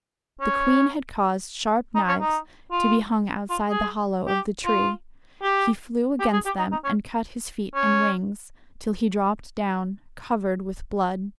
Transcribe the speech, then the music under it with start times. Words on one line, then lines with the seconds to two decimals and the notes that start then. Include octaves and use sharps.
The queen had caused sharp knives to be hung outside the hollow of the tree: he flew against them and cut his feet and wings, till he dropped down, covered with blood.
0.41 C#4
1.95 D#4
2.08 C#4
2.21 D#4
2.72 F4
3.50 F4
3.69 G#4
4.27 G4
4.66 F4
5.43 G4
6.20 G4
6.33 G#4
6.46 G4
6.59 D#4
6.72 D#4
6.85 C#4
7.75 C#4